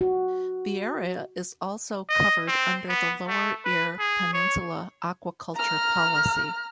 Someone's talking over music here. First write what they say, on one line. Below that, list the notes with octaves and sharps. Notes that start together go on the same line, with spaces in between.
The area is also covered under the "Lower Eyre Peninsula Aquaculture Policy".
F#4
D#5
C4
B3
A3
B4
G#4
C#5
A#5 F6